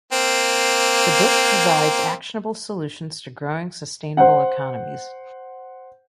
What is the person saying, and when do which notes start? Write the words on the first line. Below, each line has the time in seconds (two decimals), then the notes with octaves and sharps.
The book provides actionable solutions to growing sustainable economies.
0.13 A#3 C4
4.17 C5 F#5